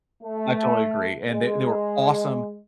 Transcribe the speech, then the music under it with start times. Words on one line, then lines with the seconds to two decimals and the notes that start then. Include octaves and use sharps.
I totally agree and they they were awesome,
0.23 A3
1.28 G#3